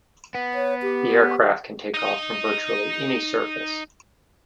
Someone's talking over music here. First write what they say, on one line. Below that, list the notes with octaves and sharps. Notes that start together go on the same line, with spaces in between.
The aircraft can take off from virtually any surface.
B3
C#5
G4
D#4 D#5